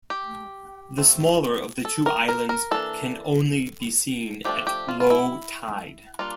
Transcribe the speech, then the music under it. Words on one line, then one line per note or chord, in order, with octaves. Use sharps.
The smaller of the two islands can only be seen at low tide.
G4
F3 A3 C4
A4
A#4
A#4
A#4
E3 A#3 D4 A4
F3 A3 D4 G4
G4
F4
F4
E4
G3 A#3 D4 F4